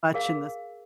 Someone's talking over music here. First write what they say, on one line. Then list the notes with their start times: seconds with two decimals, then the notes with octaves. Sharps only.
much in this
0.14 G#4 A#4 F5